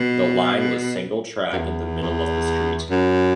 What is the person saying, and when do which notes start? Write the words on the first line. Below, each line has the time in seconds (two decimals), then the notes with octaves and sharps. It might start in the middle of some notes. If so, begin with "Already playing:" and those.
The line was single-track in the middle of the street.
Already playing: B2
1.53 F#2
1.58 E2
2.02 E2
2.90 F#2